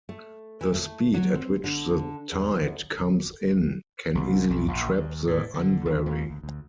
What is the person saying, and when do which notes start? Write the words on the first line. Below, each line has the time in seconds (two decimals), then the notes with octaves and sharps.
The speed at which the tide comes in can easily trap the unwary.
0.09 A3
0.61 E3
0.74 A3
1.14 F#3
1.35 C4
1.64 D3
2.32 E2
2.56 D2
4.15 C2
4.50 B1
4.68 A#1
4.90 D#2
5.27 A2
5.54 D3
5.85 D#2
6.06 D#2
6.30 D2
6.43 D2